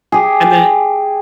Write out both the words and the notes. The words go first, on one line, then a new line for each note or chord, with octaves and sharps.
and then
G4 G#4